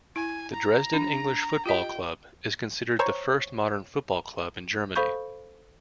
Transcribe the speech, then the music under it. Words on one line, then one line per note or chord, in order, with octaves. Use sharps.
The Dresden English Football Club is considered the first modern football club in Germany.
E4 G#5
A#5
D4
F4 G4 D#5 G5
C5 C#5 A#5 C#6
A4 C5 F5 B5 C#6 G6